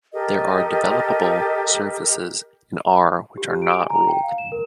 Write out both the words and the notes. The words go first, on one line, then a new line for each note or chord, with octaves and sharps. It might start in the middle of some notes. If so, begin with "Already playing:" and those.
There are developable surfaces in R which are not ruled.
G4 A4 A#4 D#5
G4
G4
D7
G#5
A#5
G5
F5
E7
A#4